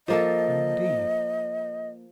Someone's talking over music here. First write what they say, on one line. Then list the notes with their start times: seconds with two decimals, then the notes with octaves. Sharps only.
No, indeed!
0.08 F3 A#3 A4 D#5